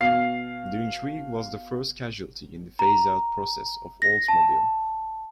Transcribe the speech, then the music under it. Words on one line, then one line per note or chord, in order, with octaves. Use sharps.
The Intrigue was the first casualty in the phase-out process of Oldsmobile.
B2 F5 C7
A#5
A#6
A5